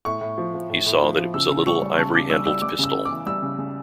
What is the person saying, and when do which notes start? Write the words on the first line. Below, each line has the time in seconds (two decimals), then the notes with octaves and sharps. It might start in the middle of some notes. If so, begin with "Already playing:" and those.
He saw that it was a little ivory-handled pistol.
0.05 A2 C#6
0.21 A2
0.38 F3
0.54 F3
0.70 A2
0.86 A2
1.02 F3
1.18 F3
1.34 C#3 E6
1.50 C#3
1.66 G3 C#6
1.82 G3
1.98 C#3 A5
2.14 C#3 D6
2.30 G3 E6
2.46 G3 E6
2.62 G3 D6
2.79 C#3 E6
2.94 C#3
3.05 D6
3.11 E3
3.26 G3 E6
3.43 C#3
3.58 C#3